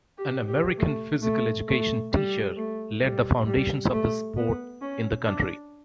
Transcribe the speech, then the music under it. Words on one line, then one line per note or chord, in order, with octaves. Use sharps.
An American physical education teacher laid the foundations of the sport in the country.
G4
G4
A3
A3
A3
G3
A3
G3
G3
A3
B3
C#4
D4